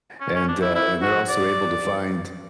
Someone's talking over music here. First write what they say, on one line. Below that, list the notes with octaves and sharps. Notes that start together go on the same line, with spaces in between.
and, uh and they're also able to find
C#4
C#4
D4
E4
E4
F#4
D5